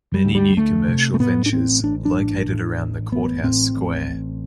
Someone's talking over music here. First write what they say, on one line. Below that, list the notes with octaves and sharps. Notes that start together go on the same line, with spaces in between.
Many new commercial ventures located around the Courthouse Square.
G3
D2
G3
D2 A3
C3
A3
A2 B3
D4
A1 C4
A1 D4
D4
A2
A2
A1
A1 B3
A2 C4
A1
A1